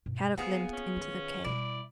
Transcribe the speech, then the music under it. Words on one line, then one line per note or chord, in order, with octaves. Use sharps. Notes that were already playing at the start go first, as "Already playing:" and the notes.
Kadok limped into the cave.
G2 B2
F3 A#3 B3 F4 G#4
C#4
D#3
B2 G3 E4 D5